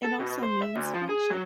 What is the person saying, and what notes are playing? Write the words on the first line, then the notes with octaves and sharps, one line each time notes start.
It also means friendship.
A4
B2
C5
E5
D2
F3
G#4
F#3